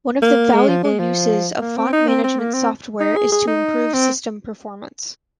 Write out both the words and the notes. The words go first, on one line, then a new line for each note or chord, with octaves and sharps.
One of the valuable uses of font management software is to improve system performance.
A#3
G#3
F3
G#3
F3
A#3
C4
D#4
C4
C4
A#3
C4
D#4
G#4
G#4
D#4
C4